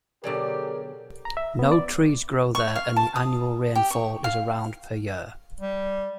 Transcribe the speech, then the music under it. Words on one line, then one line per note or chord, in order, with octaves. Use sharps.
No trees grow there and the annual rainfall is around per year.
B2 D3 F#3 G4 G#4 A#4 D5
A#5
E5
B3
D5
C#6
F5
A5
D#6
G4
C#6
F5
G3